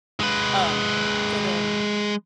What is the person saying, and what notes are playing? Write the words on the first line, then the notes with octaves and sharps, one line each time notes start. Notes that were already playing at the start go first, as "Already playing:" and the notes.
Um, so, then,
G#3 B4